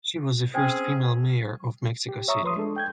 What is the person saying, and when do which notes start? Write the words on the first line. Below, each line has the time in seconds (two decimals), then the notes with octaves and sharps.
She was the first female Mayor of Mexico City.
0.54 C4 C#4 G#4 C5 G5 G#5
2.09 G4
2.28 C#5 E5 A#5 C#6 D#6 E6
2.43 F3 B4 C6 D#6
2.57 G#3 D4 A4
2.76 G5 G6 G#6